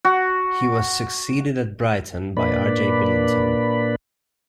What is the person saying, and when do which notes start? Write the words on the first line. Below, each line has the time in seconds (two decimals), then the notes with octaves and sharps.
He was succeeded at Brighton by R. J. Billinton.
0.05 F#4
2.37 A#2 A#3 D4 B4 D5 B5